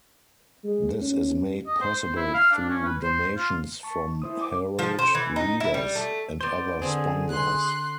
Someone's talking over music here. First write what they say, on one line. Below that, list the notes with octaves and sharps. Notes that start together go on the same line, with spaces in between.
This is made possible through donations from Herald readers and other sponsors.
G#3
C#4
D#5
C5
C5
E4
F5
D4
C#4
B4
C5
F4
A5 C#6
E4 C5 D#6
D6
F3
C5
E3
D#4
E4
G3
A3
B3 C5 D5 C6
D3 C4 G#4
C6 F#6